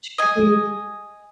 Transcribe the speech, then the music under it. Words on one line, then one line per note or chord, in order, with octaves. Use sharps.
She could be
D#5 G#5